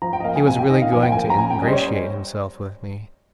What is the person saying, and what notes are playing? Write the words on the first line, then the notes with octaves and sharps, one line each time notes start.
He was really going to ingratiate himself with me.
F3 A#5
G5
D#5
A#3 F5
G#5
C3 G#5
G5
D#3 D#5
F5
F3 G#5
G5
A#3 G#5
A#5
C#4 G#5
G5
G3 D#5
C5
C#5